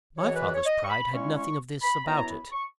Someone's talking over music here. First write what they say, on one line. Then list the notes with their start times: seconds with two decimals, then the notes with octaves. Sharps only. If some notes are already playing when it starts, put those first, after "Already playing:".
My father's pride had nothing of this about it.
0.18 F#2 E3 G#3 C#5
0.35 B4
0.55 C#5
0.66 D#5
0.85 C#6
0.89 B5
1.12 A#2 G#3 C#4 E4 C#6
1.36 C#6
1.82 B5
2.05 F#2 E3 B3 E4 A#5
2.29 B5
2.52 C#6